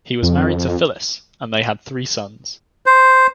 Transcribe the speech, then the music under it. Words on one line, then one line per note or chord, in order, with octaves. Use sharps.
He was married to Phyllis, and they had three sons.
F2
C5